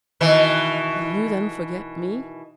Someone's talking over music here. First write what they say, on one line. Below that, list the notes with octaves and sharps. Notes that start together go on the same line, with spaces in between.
"Will you then forget me?"
B2 D#3 E3